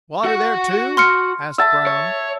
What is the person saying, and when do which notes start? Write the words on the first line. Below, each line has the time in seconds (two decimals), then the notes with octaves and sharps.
"Water there, too?" asked Brown.
0.25 F#4 F#5
0.97 C6 F6 C#7
1.58 E5 A5
1.87 C#5